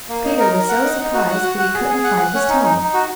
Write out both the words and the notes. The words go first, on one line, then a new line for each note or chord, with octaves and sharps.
Peter was so surprised that he couldn't find his tongue.
A#3
D#4
A#4
A#4
F#5
D#4
D#4
F#4
F#5
F#4
F#5
G#4
G#4
F#5
F#5
C#4
D#4
D#4
D#4
F#4